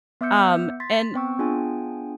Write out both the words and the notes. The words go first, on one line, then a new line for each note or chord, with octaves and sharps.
Um, and
B3 E5 D6 E6 G6 C#7
C6 A6 B6
B3 C4 G5 C#6 E6
B3 D4 F4 G#4 G5 G#5